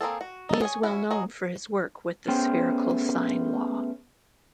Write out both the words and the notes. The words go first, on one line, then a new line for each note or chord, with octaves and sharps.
He is well known for his work with the spherical sine law.
A#3 C4 G#4 A4
F#4
D#4 A4
G#4 C#5 G#5
C#4 E4 F#4
F#3 G#4 D#5
A3 B3 C#4 G#4 C5 G5